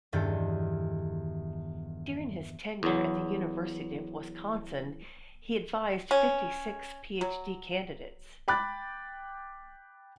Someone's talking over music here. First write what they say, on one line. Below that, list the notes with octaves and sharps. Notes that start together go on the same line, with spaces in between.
During his tenure at the University of Wisconsin, he advised fifty six Ph.D. candidates.
E1 E2 G2 D#3 A4 G6
E2 F#3
C#4
F#3
G5 B5 D6 F#6 A6